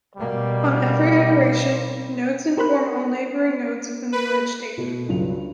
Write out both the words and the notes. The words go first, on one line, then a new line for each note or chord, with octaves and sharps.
On every iteration, nodes inform all neighboring nodes of the new edge data.
B2 G3 A#3
G4 A#4 C5 B5 F#6
B4
B2 A3
C#2 G2 F#3 F7